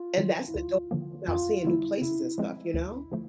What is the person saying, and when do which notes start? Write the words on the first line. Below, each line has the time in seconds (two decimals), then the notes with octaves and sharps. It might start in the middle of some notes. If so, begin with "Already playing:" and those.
And that's the dope about seeing new places and stuff, you know?
Already playing: F4
0.18 D#3 F#3
0.48 E4
0.55 D2 F4
0.91 D3 F3 A#3
1.28 F2 F4
1.65 D3 G3 A#3 E4
2.01 C#3 E4
2.38 F3 G#3 C4
2.74 D2
3.12 D3 F3 A3